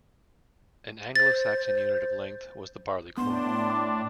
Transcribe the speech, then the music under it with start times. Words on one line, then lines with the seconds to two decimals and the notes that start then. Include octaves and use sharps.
An Anglo-Saxon unit of length was the barleycorn.
1.16 C5 A6
3.17 A2 B3 D4 C6
3.70 D6